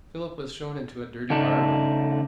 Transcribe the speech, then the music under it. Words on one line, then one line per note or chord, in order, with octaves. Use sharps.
Philip was shown into a dirty bar-room.
C#3 A3 D4 D#4